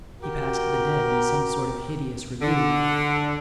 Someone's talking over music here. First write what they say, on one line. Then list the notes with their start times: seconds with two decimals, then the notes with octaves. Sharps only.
He passed the dead in some sort of hideous review.
0.21 F#4 G4 A#4
2.41 D3